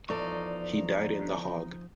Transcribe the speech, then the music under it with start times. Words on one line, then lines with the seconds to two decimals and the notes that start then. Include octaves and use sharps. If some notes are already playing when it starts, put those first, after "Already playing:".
He died in The Hague.
0.09 E2 F3 D#4 A4 D5 C#6